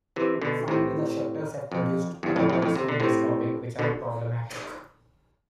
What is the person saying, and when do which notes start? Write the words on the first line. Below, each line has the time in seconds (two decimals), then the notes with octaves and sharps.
Finally, the Schecters have produced other works on this topic which are problematic.
0.16 C3 E3
0.42 B2 D3
0.68 A2 C3
1.72 F2
2.23 E2 G2
2.36 F2 A2
2.50 F2 A2
2.62 F2 A2
2.76 C3
2.89 D3
3.00 A2 C3
3.79 B2 D3